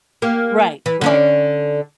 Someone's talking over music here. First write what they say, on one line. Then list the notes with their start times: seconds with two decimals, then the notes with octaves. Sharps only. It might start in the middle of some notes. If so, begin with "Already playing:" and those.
Right, right.
0.22 A#3 G4
0.86 E3
1.01 D3 C#4 D5